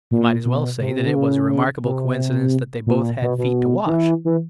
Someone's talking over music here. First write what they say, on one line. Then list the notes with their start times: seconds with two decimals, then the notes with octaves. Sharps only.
You might as well say that it was a remarkable coincidence that they both had feet to wash.
0.11 A#2
0.45 B2
0.81 C3
1.06 D3
1.15 C#3
1.84 C3
2.87 A#2
3.22 B2
3.38 B2
3.86 D#3
3.90 E3
4.25 E3